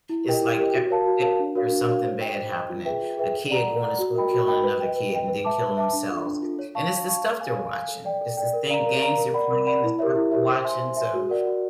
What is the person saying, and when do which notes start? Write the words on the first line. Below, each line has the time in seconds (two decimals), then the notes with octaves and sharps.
it's, like, every day there's something bad happening, a kid going to school, killing another kid, and then killing themselves, and it's the stuff they're watching, it's this thing games they're playing, the stuff they're watching, so
0.09 E4
0.25 G4 A#4 D#5 G5
0.41 E4
0.57 G4 A#4 D#5 G5
0.74 F#4
0.90 A#4 C#5 F5 A5
1.06 F#4
1.22 A#4 C#5 F5 A5
1.39 D4
1.55 F#4 A#4 C#5 F5
1.72 D4
1.88 F#4 A#4 C#5 F5
2.04 C5
2.20 D#5 G5
2.36 C5
2.53 D#5 G5
2.69 F4
2.85 G#4 B4 E5 G5
3.02 F4
3.17 G#4 B4 E5 G5
3.34 A4
3.50 D5 F#5 A#5
3.66 A4
3.82 D5 F#5 A#5
3.99 F#4
4.15 A#4 D#5 G5 B5
4.31 F#4
4.47 A#4 D#5 G5 B5
4.63 B4
4.80 D#5 G5
4.96 B4
5.12 D#5 G5
5.28 B4
5.45 E5 A5 D6
5.62 B4
5.77 E5 A5 D6
5.93 D4
6.09 F4 A4
6.26 D4
6.42 F4 A4
6.59 C#5
6.75 F5 A5 C#6
6.90 C#5
7.07 F5 A5 C#6
7.23 C#5
7.40 F5 G#5
7.56 C#5
7.72 F5 G#5
7.88 A4
8.05 D5 G5
8.21 A4
8.37 D5 G5
8.53 A#4
8.69 D5 F5 A#5
8.85 A#4
9.02 D5 F5 A#5
9.18 A#4
9.34 D5 F#5 B5
9.51 A#4
9.67 D5 F#5 B5
9.84 E4
9.99 G4 A#4 C#5 E5
10.16 E4
10.31 G4 A#4 C#5 E5
10.48 C5
10.64 E5 G#5 C6
10.80 C5
10.97 E5 G#5 C6
11.13 F#4
11.29 A#4 D5 F#5
11.46 F#4